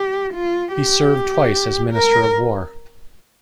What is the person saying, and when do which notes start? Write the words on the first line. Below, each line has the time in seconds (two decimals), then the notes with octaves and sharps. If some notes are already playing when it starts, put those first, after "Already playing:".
He served twice as minister of war.
Already playing: G4
0.34 F4
0.73 G4
1.93 A#4